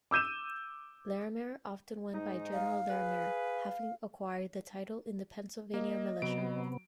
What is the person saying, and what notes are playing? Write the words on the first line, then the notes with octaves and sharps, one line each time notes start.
Larimer often went by "General Larimer", having acquired the title in the Pennsylvania Militia.
D6 E6 G6 D#7 E7
G#2 D#4
F5
G#4 B4
A#3 D#5
C3 F#3 B3 D7